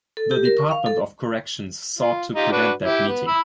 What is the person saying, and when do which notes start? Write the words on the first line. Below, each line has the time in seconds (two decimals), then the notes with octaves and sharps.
The Department of Corrections sought to prevent that meeting.
0.17 A4
0.31 G4
0.45 A#4
0.58 C#6
0.71 F5
0.86 A4
1.99 F4
2.35 D#4 F4 G4
2.52 D4 F#4 B4
2.83 E4 G4
3.08 B3
3.28 B5 E6